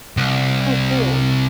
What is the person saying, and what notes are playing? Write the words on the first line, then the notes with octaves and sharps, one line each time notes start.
Oh, cool.
C2